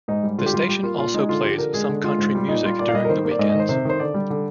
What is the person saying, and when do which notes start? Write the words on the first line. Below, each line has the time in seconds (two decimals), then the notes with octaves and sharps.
The station also plays some country music during the weekends.
0.08 G#2 D#4
0.23 G3
0.38 D3 F4
0.46 G4
0.54 G3 F4
0.69 G3 G4
0.83 A#3 F4
0.98 A#2 F4
1.14 G#3 D#4
1.29 D3 F4
1.44 F3 G4
1.58 D3 A#4
1.74 G#3 G#4
1.89 D3
2.04 G#3 F4
2.19 G#2
2.35 G3
2.49 A#2 D#4
2.64 G3 F4
2.79 A#2 D5
2.89 F5
2.94 G3 D#5
3.05 A#4
3.09 D#3 C5
3.25 A#3
3.31 D5
3.39 G#2 D#5
3.50 D#5
3.55 D#3 C5
3.69 C3 C5
3.85 D#3 C5
4.00 D3 D5
4.14 G3
4.30 D3